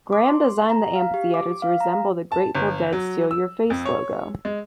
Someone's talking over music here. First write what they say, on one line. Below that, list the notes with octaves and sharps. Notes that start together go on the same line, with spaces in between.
Graham designed the amphitheatre to resemble The Grateful Dead's "steal your face" logo.
D6
C6
A#5
F5
G4
D6
F5
A#5
A5
G1
F#3
E6
F2
C#5
G#3